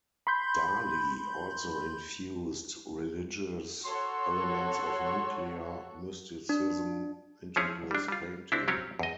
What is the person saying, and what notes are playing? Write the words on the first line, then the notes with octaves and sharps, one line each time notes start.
Dali also infused religious elements of Nuclear Mysticism into this painting.
B5 C6 G6
F#4 A4 C#5 C6
D4
F3 C4 C#4 E4 G#4 C#5
G3 D4
G3 F4
C4 D4 E4
F#3 C4 C#4 G4 C#5
E2 D#5